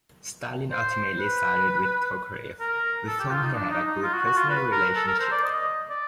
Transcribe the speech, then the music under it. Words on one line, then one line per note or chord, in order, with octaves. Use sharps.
Stalin ultimately sided with Tokarev, with whom he had a good personal relationship.
C5
B4
A#4
A4
G4
F4
D#4
D4
D#4
D#4
F4
F#4
F#4
F4
B4
A#4
A4
A#4
C5
D5
D#5
D5